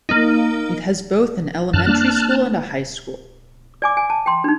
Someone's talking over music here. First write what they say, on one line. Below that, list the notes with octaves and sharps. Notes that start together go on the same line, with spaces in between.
It has both an elementary school and a high school.
A#3 D#4
F#2 A5 F6 F#6
A#3 D4
D5 G#5 D6
G#5
A5
G5 C6
D4 D#4